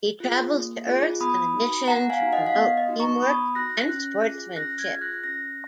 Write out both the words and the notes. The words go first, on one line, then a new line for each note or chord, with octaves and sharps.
He travels to Earth on a mission to promote teamwork and sportsmanship.
F4 G#4
A#3
F4 G#4
B3 B5 D#6
D#4 F#4
B3 F#5 A#5
F5 G#5
D#4 F#4
D#5 F#5
F5
B3 D#5
D#5
D#4 F#4
A#5 C#6
B3 B5 D#6
D#4 F#4 F#6 A#6
C#4 F#6 A#6
F4 G#4
C#4 F#6 A#6
F6 G#6
F4 G#4
F#6 A#6
C#4 F#6 A#6